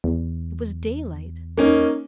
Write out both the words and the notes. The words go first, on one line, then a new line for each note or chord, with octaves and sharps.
It was daylight.
E2
A#3 C#4 D#4